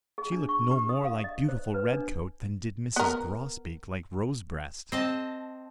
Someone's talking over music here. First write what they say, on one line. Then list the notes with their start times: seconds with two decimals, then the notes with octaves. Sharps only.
She looked no more like beautiful Redcoat than did Mrs. Grosbeak like Rosebreast.
0.18 G#4
0.32 D4
0.49 C#6
0.71 G4
0.89 D#6
1.04 F5
1.24 D#5
1.48 C5
1.74 B4
1.93 D4
2.96 B3 A#4
4.92 C4 D#5 A5